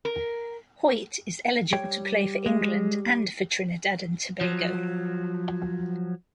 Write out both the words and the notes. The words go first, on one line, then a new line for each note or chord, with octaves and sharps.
Hoyte is eligible to play for England and for Trinidad and Tobago.
A#4
G3 C#5 G5
G#3
F3 F#3